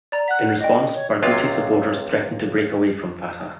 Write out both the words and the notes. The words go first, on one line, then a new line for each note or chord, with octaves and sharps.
In response, Barghouti's supporters threatened to break away from Fatah.
D5 A#5
F#5 F#6 B6
D5 D#5 G5
C#5
C#2 C3 F#3 G#3 F4